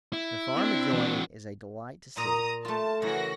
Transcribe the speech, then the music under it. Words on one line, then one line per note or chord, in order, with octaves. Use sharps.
The farm adjoining is a delight to see.
E4
C4 D4
E3 F#4
A#2 A#5 D#6
A3 F4 A5
C#3 E3 F#4 A#4 A#6